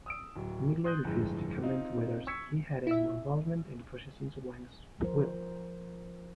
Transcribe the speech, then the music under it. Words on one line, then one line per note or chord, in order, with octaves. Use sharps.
Midgley refused to comment whether he had any involvement in processing Wang's will.
D#6 E6 D7
D1 F#3
C6 D#6 F#6 G6
G1 F2 A2 G#3
C4 D#4 F4
C#6 E6 G#6 B6 C#7
E4 E5
F3 A#4 C5